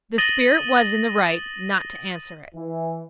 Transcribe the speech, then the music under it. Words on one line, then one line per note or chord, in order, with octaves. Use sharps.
The spirit was in the right not to answer it.
D#6 A6 A#6 D#7 F#7 G7
E3